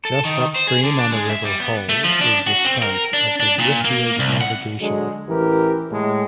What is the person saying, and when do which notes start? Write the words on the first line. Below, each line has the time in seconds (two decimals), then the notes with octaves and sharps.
Just upstream on the River Hull is the start of the Driffield Navigation.
0.05 A4
0.25 D#3
0.56 C5
0.67 G#4
0.84 D3
0.98 D4
1.12 G#3
1.30 E5
1.45 G3
1.60 B3
1.89 A3
2.04 F3
2.21 D4
2.47 F#4
2.65 C4
2.82 A#4
3.13 D4
3.40 D4
3.59 A#2
3.84 A#3
4.19 C2
4.41 F#5
4.80 D3 F#3 G#3
5.28 A1 E3 G4 A#4
5.91 A2 G#3